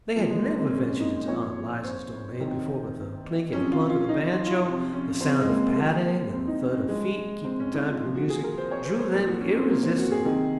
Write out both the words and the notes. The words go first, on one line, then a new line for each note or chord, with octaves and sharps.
They had never ventured into Aunt 'Liza's domain before, but the plinketty-plunk of the banjo, the sound of patting and the thud of feet keeping time to the music drew them irresistibly.
A#2 F3 A#3
G#3
A#3
C4
C#4
C#4
D#4
A#2 F3 C#5
C5
C3 D#3
C3 F3 C#4
F4
F4
D#4
F4
C3 F3 F4
C#4
C4
G#3
A#3
C3 F3 A#3
C4
D#4
C#4
C3 F3 G#3
C4
C#4
D#4
F4
A#2 F3 F4
F#4
G#4
A#4
C5
C#5
C5
C5
A#2 F3 A#4
F#4
C#4
C4
A#3
C4
F#4
G#4
C3 D#3